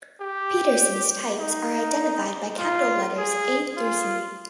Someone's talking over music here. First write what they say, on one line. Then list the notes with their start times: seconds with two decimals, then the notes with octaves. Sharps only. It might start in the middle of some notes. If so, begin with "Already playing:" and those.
Petersen's types are identified by capital letters A-Z.
0.21 G4
1.39 D#4
2.59 F4
3.18 G#4
3.77 F4